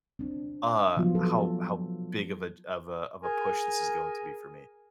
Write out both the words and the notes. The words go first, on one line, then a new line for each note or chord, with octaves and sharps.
uh, how how big of a j of a of a push this is going to be for me.
C4 D4
F3 F#3 B3 F4
A4
G#4 A#4 G#5